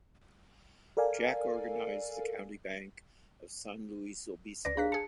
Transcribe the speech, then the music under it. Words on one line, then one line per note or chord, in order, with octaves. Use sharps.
Jack organized the County Bank of San Luis Obispo.
A4 A#4 D5 F5 G#5
C#2 B4 D5 A#6
D4 G#4 F5 A#5 F#6 B6
G#4 A5 C#7